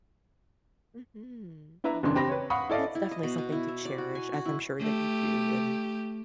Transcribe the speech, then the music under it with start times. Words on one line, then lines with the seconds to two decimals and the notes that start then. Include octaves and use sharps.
Mhm, aw, but that's definitely something to cherish as I'm sure that you do, and
1.84 D4 E4 B4 E5 A#5
2.03 F#1 C#3 E3 D4 C6
2.16 C4 G4 B5 A#6
2.29 B4 C#5
2.50 F5 F#5 B5 C#6 D#6
2.70 E4 A4 D5 D#5 F5
2.95 E4
3.11 D#5
3.23 B2
3.38 B2
3.52 E4
3.68 E5
3.85 D5
3.98 F#4
4.15 G#5
4.34 F#4
4.45 E4
4.79 A3 G4